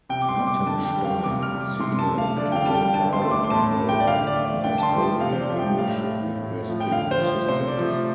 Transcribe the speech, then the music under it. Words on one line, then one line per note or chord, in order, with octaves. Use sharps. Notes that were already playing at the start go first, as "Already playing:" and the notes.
Hartenstein signalled to the pilot in both Morse code and English requesting assistance.
C3 G5
D6
C6
G3
D6
D3 A5
G5
G3
F5
C3 D6
F6
G3
D6
C3 C6
A5
A3
F5
D3 D5
G5
F5
G3 A5
G5
D3 A5
C6
A3
D6
C6
A2 A5
A3
G5
D5
D3 F5
D5
A3
D5
D3 G5
A5
C6
F3 A3
A5
C3 F5
C5
D5
F3 A3
G5
A2 F5
A3
A2
F3 A3
G5
D3 F5
C5
F3 A3
C3 C5
D5
F3 A3